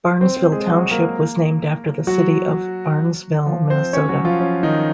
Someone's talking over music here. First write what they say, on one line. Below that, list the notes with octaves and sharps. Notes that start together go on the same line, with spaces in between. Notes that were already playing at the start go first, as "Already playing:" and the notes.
Barnesville Township was named after the city of Barnesville, Minnesota.
C4 C5
C4 C5
G#3 G#4
F#3 F#4
A#3 A#4
F#3 F#4
F3 F4
C4 C5
C#4 C#5
F#3 F#4
F3 F4
C#4
D#3 D#4